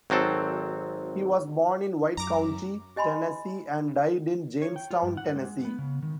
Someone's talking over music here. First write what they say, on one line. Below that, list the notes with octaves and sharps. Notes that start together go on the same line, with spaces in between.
He was born in White County, Tennessee and died in Jamestown, Tennessee.
G#1 F#3 C4 A4
F#2 A#5 D6
G4 D#5 G#5 B5 C6
C#5
G5
F4
G2
F#5
G#3
B3
C#3
D#3